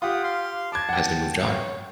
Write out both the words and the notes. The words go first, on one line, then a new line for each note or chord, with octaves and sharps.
you guys have moved on.
F4 G4 F#5 D#6
F5 C6
A5 D6 G#6
F#5 G5
C#5